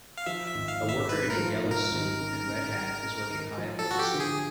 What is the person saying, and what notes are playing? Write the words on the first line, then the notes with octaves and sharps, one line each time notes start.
A worker in a yellow suit and red hat is working high above the city.
F5
F3 E5
E5
G#1
F5
G#1
E5
G#2 B4
A#4
F3
G#2
A#4
G#1
C#3
C#3
C#3
C#3
G#1
F3
A4
F3
F#4
G4
D3
G#4